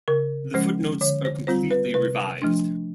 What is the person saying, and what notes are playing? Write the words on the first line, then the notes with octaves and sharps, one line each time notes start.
The footnotes are completely revised.
C#3 A#4
F3 G#3 C#4 C5
D3 C#5
C5
G3 C4 F4 C5
B4
C3 B4
F3 A3 D4